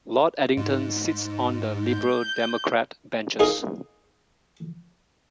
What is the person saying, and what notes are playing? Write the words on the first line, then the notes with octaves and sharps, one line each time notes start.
Lord Addington sits on the Liberal Democrat benches.
G#2
G6
D#4 G#4 A#4 F5